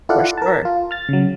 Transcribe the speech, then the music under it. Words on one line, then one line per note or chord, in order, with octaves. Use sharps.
For sure.
E4 F4 A4 D5 F5 F#5
A#4 A5
F4
F6 A6
C#3 F#3